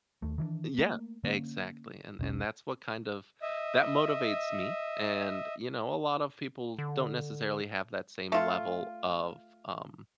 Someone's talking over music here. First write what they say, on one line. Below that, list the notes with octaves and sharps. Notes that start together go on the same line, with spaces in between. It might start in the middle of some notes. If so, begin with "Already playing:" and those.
Yeah, exactly, and and that's what kind of that motivates me and, you know, a lot of people don't necessarily have that same level of, um,
D#2 A3
D#3 E3 G#3 D4
A3 A#3
D3 A#3 C#4
E1 B1 C#4
D#5 E5
D3
A3 F4